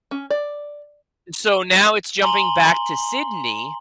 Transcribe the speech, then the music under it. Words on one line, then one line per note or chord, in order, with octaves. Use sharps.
So, now it's jumping back to Sydney,
C#4
D5
G#5 A#5 C6 F#7 G7